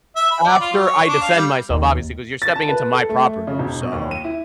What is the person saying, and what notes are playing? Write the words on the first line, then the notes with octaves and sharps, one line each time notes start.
after I defend myself, obviously, 'cause you're stepping into my property, so"
E5
B5
D5
F4
F#3
C#5
D4
F5
G3
D#2
A6
A5
B4
A4
A3
C#3
E1
B2
D#2
D#7
E4